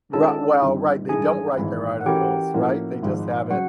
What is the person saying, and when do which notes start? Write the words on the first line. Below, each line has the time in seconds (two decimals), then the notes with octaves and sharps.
Ri well, right they don't write their articles, right? They just have it
0.13 D#3 G#3 C#4 F4 G#4 A4 A5
0.61 G1 G2 D#3 G3 C4
1.09 A1 G2 D#3 G#3 G#4 G#5
1.57 G#1 G#2 E3
2.01 F#5
2.06 E3 A3 C#4 F#4 G4 A#4 G5
2.54 A2 F3 A#3 C#4 F#4
3.02 G#1 G#2 F3
3.51 C#3 F#3 F#4 F#5